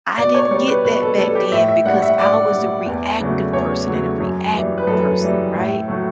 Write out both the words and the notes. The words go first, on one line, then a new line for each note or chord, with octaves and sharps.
I didn't get that back then because I was a reactive person and a reactive person, right?
B2 D5
C#5
G3 C#5
B4
B2 B4
A4
G3 A4
G4
A2 E5
E5
G3 F#5
E5
A2 D5
G3
E2
C#3 F#3 A3
E2 C#5
C#3 F#3 A3
F#2
E3 G3
B4
F#2 A4
E3 G3
A2
F#3 A3